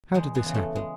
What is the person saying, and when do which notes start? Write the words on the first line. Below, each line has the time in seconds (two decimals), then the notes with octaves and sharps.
How did this happen?
0.14 E2 G#3
0.35 G#3 B3
0.45 C#3 E3
0.54 A3
0.76 G#3